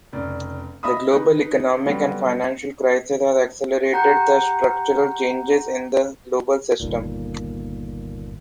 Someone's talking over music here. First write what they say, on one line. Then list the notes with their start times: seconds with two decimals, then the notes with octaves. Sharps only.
The global economic and financial crisis has accelerated the structural changes in the global system.
0.13 F1 C#3 D5
0.83 D#5 E5 B5 D#6
1.11 D#4 B4
1.86 D3 F#3 G3 B3
3.92 G4 F#5 A#5 G6 C#7
6.80 G1 D#2 A#2